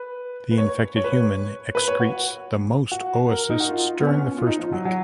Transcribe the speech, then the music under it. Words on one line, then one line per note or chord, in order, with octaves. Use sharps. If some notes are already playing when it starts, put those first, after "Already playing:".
The infected human excretes the most oocysts during the first week.
Already playing: B4
B4
C#5
C#5
B4
C#5
B4
C#5
F#4
F#4
A#4
D#4
F#4
F4
B3
C#4
F4
D#4
F3
F#3
F#3